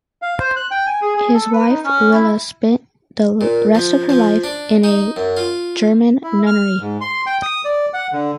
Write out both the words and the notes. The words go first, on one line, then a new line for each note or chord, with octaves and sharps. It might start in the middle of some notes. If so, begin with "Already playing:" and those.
His wife Willa spent the rest of her life in a German nunnery.
F5
C5
F#6
G5
G#5
G#4
G#4
A4
B4
D#4
C#4
E4
A#2
F3
F3
D4
D#4
F#2
F4
E4
F6
G#2
C6
G5
D#6
D5
F#5
D3